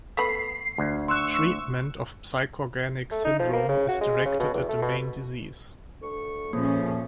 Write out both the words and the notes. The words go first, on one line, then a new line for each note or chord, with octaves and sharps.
Treatment of psychorganic syndrome is directed at the main disease.
A3 B3 B5 B6 C7
D2
C6 C#6 E6 F#6
A3
D#4
F3
A#3
C#3
F#4
G#3
C#3
B2
E2
A3
B2
D2 C#6
F2 A#2 C#3 F3 A#3 C#4